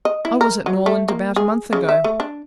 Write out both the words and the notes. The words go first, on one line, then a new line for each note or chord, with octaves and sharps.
"I was at Norland about a month ago."
D#5
E4
A#4
F#3
A3
A#3
G#4
C#3
E5
A3
D4